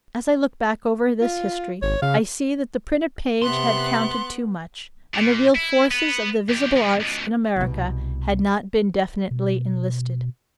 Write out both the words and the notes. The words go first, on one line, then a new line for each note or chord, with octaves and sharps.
As I look back over this history I see that the printed page had counted too much, and the real forces of the visible arts in America had not been definitely enlisted.
F4
G#1 C#5
C#3 F5
C3 B3 C6 F#6 A6
A#2
E4
B3
F2 G4
B2 F3
C#2 B2
C2 B2
B2